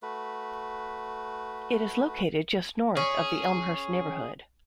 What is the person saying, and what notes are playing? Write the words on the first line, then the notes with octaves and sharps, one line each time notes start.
It is located just north of the Elmhurst neighborhood.
A3 F#4 B4
C#4 G#4